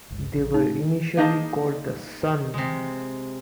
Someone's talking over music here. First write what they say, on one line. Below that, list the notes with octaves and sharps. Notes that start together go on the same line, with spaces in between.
They were initially called Sun..!
G1 C#2
A#1
A2 C3 D#4
A#3 D4 D#4 G#4 D#5 A5
C3 G#3